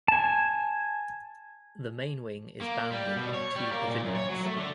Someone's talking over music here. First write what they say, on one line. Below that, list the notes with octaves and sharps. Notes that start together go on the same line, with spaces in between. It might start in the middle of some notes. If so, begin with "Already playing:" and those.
The main wing is bounded by two pavilions.
G#5 A5
A#3
G3
B2
C#5
G3
A#3
A#2
F#2
C#5
F#3
A3
D3